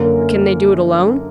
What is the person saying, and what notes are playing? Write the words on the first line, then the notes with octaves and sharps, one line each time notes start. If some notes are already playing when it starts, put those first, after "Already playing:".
"But can they do it alone?"
Already playing: F#2 D3 A#3 C#4 A#4